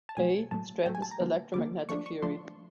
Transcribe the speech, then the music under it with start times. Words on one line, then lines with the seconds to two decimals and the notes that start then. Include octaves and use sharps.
A. Stratton's "Electromagnetic Theory".
0.09 A5
0.17 B2 F#3 A3 C4 G#5
0.51 A2 F#3 A3 A5
0.86 A2 F#3 A3 G5
0.95 G#5
1.02 A5
1.11 A#5
1.20 D3 G3 A#3
1.54 D3 G3 A#3 D6
1.89 F3 A3 D4 C#6
2.06 C#6
2.22 F3 A3 D4 C6